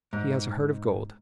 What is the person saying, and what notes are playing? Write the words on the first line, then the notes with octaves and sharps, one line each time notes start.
He has a heart of gold.
G#2